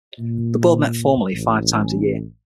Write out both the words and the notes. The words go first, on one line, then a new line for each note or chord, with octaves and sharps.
The Board met formally five times a year.
A#2
A1